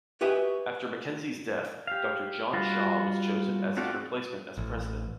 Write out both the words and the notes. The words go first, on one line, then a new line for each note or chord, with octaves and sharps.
After MacKenzie's death, Doctor John Shaw was chosen as his replacement as president.
F#4 G4 B4 D#5 E5 G#5
G4 F5
G3 F4 F#4 B4
A3 C4 F4 F#4 D5 F#5
A1